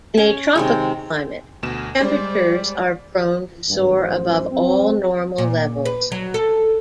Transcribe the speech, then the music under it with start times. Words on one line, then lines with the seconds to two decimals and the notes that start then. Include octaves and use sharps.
In a tropical climate, temperatures are prone to soar above all normal levels.
0.17 C#4
0.55 C3 D#3 G#3
1.63 D2 B2 E7
2.01 G3 G#3 C5 D5
3.69 G#1 G2
3.98 A1 F#2 C5
4.51 F#3 C4
5.38 A#2
5.85 B4
6.12 F#3
6.34 A4